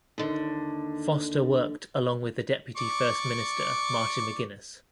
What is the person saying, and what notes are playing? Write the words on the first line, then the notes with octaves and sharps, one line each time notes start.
Foster worked along with the deputy First Minister Martin McGuinness.
D#2 D3
D5 C#6 D6